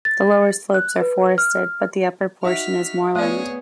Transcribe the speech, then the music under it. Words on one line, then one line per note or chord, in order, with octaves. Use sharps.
The lower slopes are forested, but the upper portion is moorland.
A6
F#6
B4
F6
D#4 F#4 E5 F6 B6
A3 B3 G#4 C#5 D5